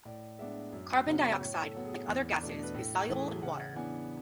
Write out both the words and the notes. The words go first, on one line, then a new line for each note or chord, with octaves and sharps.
Carbon dioxide, like other gases, is soluble in water.
A2 D5
G#3 B3 D4 E5
F#2
C#3 F#3 B3
A2 C#5
A4
F#3 B3
G#4
E2
B2 A3 D4
B4
A2 A4
E3 A3
G#4
C#3 F#5
E3 B3 D4 G#5